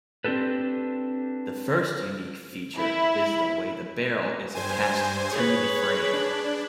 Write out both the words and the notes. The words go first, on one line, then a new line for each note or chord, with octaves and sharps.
The first unique feature is the way the barrel is attached to the frame.
C4 D4 G4 A4 B4
E4
G2 C5 G#5
G#4 B4 C#5
D4